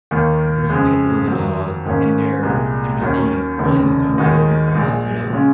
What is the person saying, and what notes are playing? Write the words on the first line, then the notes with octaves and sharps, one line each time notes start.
the perspective of a dog and their understanding of time is totally different from us, you know?
D#2 D#3 A#3
F2 C#3 G#3
F2 D#3 F#3
G#2 D#3 A#3 C#4
C2 A#2 G#3
D#2 D#3 F#3 C#4
F1 D#2 C#3
D#2 D#3 G#3 D#4 F#4
A#1 A#2 G#3
C#3 G#3 C#4 F4